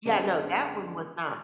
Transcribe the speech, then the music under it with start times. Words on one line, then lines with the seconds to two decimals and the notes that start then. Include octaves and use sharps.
Yeah, no, that one was not,
0.05 F#2 D3 G#3 B3 D4